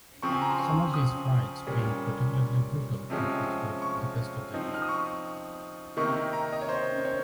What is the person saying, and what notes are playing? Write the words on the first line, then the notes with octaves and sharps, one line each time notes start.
Some of these fights being particularly brutal and considered the best of their year.
C#3 F3 C4 C#6
G#5
A#5
C6
C#6
D#6
A#2 G3 C#4
C3 F3 G#3 C#4
C#6
F3 C4 D#4
F6
D#6
C#6
C3 D#3 A#3 D#4 C#6
A#5
D#5
C#5
C5
C#5